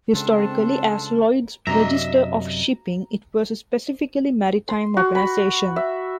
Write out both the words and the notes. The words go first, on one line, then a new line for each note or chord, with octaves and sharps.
Historically, as Lloyd's Register of Shipping, it was a specifically maritime organisation.
C#3 G#3 C4 D4 F4 A4 A5
F#2 C3 D4 D#5 E5 A#5
C6
F#4
B5
E5